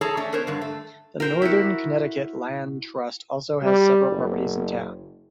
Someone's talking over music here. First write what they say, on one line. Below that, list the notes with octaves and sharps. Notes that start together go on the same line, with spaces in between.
The Northern Connecticut Land Trust also has several properties in town.
G#4 A4 C#5 A5 A#5
A3 C#4 D4
B3 A#4 C5 C#5
G2 D3
A3
A#4 C5 G5
E4 F#4
G3
F#1